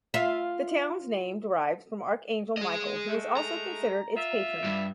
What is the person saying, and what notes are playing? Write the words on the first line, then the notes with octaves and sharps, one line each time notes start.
The town's name derives from Archangel Michael who is also considered its patron.
F4 E5
G#4 D#5
G#3 A3 E5
A#5
F4 E5
G2